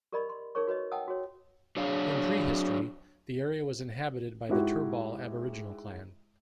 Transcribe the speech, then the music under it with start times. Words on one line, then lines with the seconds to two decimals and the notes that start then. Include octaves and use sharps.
In prehistory, the area was inhabited by the Turrbal Aboriginal clan.
0.12 G4 A#4 D5 D#5 B5
0.29 C6
0.55 D#4 G#4 A#4 C#5 C#6
0.67 F#4 B4 C#5 D#5
0.92 D#5 F#5 G5 A5 D#6 E6
1.08 F#4 G#4 C#5
1.77 F#3 D4 G#4 C#5 D5 F5
4.49 G#2 G#3 E4 F#4 G4